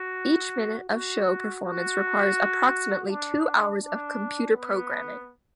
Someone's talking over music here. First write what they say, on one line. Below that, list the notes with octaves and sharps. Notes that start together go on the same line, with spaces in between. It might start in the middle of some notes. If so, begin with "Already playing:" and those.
Each minute of show performance requires approximately two hours of computer programming.
Already playing: F#4
F#4
F#4
D4
D4
B3